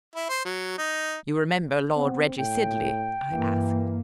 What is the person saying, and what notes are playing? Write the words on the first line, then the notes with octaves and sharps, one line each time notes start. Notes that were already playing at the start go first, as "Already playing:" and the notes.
"You remember Lord Reggie Sidley?" I asked.
E4
C5
F#3
D#4
B3 C4
A2 G5
G2 E3 A#3